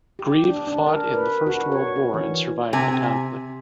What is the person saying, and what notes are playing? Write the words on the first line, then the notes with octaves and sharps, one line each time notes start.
Greive fought in the First World War and survived the conflict.
G4
D4
D4
A#4
B4
F#4
C#5
C#4
E3
C3 G#5